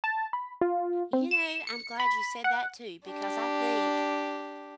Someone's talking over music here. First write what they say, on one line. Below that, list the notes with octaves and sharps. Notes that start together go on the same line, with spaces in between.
You know, I'm glad you said that too, because I think
A5
B5
F4
C4
E7
C#7
B5
F#5
D4 G4